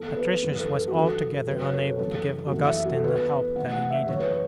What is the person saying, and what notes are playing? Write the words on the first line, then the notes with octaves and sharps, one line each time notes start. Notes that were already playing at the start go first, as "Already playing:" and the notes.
Patricius was altogether unable to give Augustine the help that he needed.
Already playing: E2 E3 A4
B4
F#2 E3
B4
A4
A4
F#4
F#2 E3 A4
F#2 C#3 F#3 B4
C#5
A4
F#2 E3 A4
F#4
F#2 E3 A4
E5
E5
F#4
A4
E2 E3 B4
A2 E3 F#5
F#5
E5
F#2 C#3 E3 C#5
B4
C#5